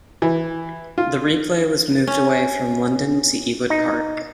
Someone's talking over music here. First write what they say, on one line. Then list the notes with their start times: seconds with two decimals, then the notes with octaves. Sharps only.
The replay was moved away from London to Ewood Park.
0.22 E3
0.98 F4
2.07 C#4
3.70 D#4